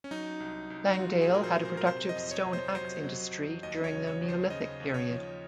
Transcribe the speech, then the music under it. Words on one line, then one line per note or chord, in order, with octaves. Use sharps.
Langdale had a productive stone axe industry during the Neolithic period.
C#4
F#3 D#4
C2
C2
F#4
F#3 F4
G#4
A#2
A#4
C5
F#3
C5
A#4
C3 C5
D#5
F2
C#5
C3
C5
F#3 C5
F#3
F2
D#2 D#5
C#5
C#3
C#5
D#2
C5
C#3 D#5
D#2
C#5
F3